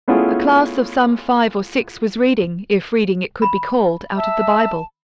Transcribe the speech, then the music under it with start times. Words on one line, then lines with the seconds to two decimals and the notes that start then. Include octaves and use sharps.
A class of some five or six was reading, if reading it could be called, out of the Bible.
0.08 A3 B3 C#4 E4 F4 G#4
3.42 B5
4.17 E5 A5